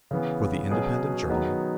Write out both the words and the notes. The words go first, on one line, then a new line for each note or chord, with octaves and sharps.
For the Independent Journal.
C#3 E3 B3
B2 F#3 C#4 G#4 B4
D#3 F#3 B3 D#4 G#4